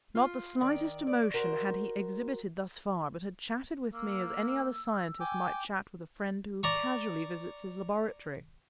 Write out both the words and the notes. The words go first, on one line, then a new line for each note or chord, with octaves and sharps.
Not the slightest emotion had he exhibited thus far, but had chatted with me as any other scientist might chat with a friend who casually visits his laboratory.
F4
D#3 D5
D5
F#4 A#4 C5
A#3 E6
G5 G#5 D6
D5 A#5 C#6